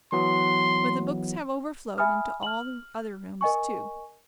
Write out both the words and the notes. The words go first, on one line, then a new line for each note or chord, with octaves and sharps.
But the books have overflowed into all the other rooms too.
E3 F#3 B3 C6
E5 G#5 B5 D#6 F6
F6 F#7
A#4 D#5 G#5 C#6